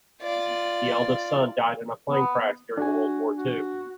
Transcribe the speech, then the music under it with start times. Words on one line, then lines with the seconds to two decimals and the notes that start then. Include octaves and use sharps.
The eldest son died in a plane crash during World War Two.
0.22 F4 D5
2.11 B3
2.77 D4 F#4 G#5
3.37 F#4